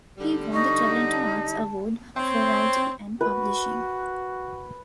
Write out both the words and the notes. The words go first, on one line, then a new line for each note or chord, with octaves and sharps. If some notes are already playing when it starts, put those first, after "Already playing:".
He won the Toronto Arts award for writing and publishing.
D3 G3
D#4 C#6
A5
C4 C#5 C6
F#4 B4